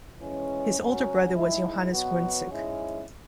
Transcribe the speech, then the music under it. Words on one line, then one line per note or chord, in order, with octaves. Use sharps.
His older brother was Johannes Gruentzig.
E3 G#3 C#4
F#2 F#3 C#4 F#4
G#2 G#3 E4
B2 F#3 B3 F#4
G#2 G#3 C#4 E4